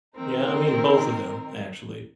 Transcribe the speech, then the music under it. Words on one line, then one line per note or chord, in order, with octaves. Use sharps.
Yeah, I mean both of them actually.
D#3 C4 D#4 A#4